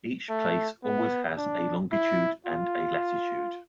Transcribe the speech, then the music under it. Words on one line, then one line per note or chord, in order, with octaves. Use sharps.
Each place always has a longitude and a latitude.
A3
B3
D4
E4
F4